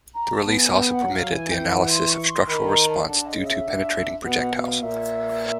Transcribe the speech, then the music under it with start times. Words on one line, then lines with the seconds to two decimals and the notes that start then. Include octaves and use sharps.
The release also permitted the analysis of structural response due to penetrating projectiles.
0.14 A#5
0.34 A5
0.44 B3
0.53 G#5
0.72 B3 G5
0.92 F#5
1.02 F#3
1.12 F5
1.31 E3 G#5
1.51 G5
1.70 F#5
1.89 C6
2.09 C#6
2.29 C6
2.48 D#3 B5
2.68 A#5
2.87 A5
3.06 D3 A5
3.26 D#5
3.35 C#3
3.46 E5
3.65 D3
4.24 B2 F#5
4.53 B2 F5
4.82 A#2 E5